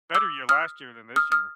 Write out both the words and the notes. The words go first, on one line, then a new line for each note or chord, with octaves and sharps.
better year last year than this year.
D6 E6
D#6 F6
D#6 F6
D#6 F6